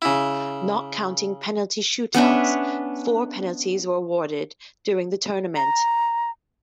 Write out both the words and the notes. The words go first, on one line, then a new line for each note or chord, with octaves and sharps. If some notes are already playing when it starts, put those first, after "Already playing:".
Not counting penalty shoot-outs, four penalties were awarded during the tournament.
C#3 E4
B3 C#4 D4 E5
A#5